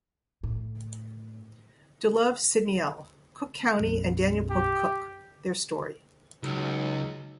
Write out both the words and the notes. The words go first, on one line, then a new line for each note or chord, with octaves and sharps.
DeLove, Sidney L. Cook County and Daniel Pope Cook-their Story.
A2
B1 F#2
G4
C#2 F#3 D#4